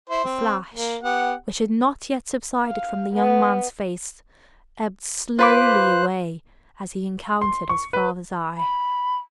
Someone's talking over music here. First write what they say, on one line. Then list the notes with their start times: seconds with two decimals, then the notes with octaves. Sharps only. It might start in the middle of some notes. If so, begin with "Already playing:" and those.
The flash, which had not yet subsided from the young man's face, ebbed slowly away as he encountered his father's eye.
0.10 E4 C5
0.25 C4
0.74 A#3
1.03 B3 G4 F#5
2.66 F5
3.14 B3
5.39 F4 B4 C5 D6 F#6
7.41 C6
7.69 C#6
7.93 B4
8.58 B5